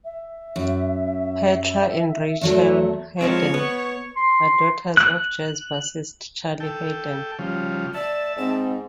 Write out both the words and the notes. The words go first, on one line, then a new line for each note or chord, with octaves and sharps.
Petra and Rachel Haden are daughters of jazz bassist Charlie Haden.
E5
F#2
E2 F#3 A3
F3 G#3 C4 C#5
B3
C6
F#6
A4 G5
C#3 F3 G3
D5 E5 A5
G#2 C4